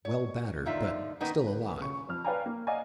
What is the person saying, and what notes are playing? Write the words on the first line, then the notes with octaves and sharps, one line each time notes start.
Well battered, but still alive.
C#5
D3 D#3 F3 D#4 F4 E5
D#3 A#3 B3 D#4 B4
B4
C#3 C#6
F2 F6
B4 D5 F5 G5 G#5 A#5
A#3
D5 D#5 F5 F#5 G#5 A#5